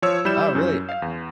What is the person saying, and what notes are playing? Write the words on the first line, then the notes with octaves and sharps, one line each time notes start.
Oh, really e
F3 C#5 E6
G3 E4 G6 E7
F#2 C#4
F5
E2